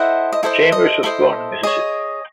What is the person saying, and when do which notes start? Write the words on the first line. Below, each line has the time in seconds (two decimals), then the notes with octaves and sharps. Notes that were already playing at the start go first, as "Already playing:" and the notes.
Chambers was born in Mississippi.
Already playing: E4 A4 C5 D#5 E5 F#5
0.32 D#5
0.43 E4 A4 C5 D#5 E5
0.72 D#5
1.03 E4 A4 C5 D#5 E5
1.63 G#4 C#5 D#5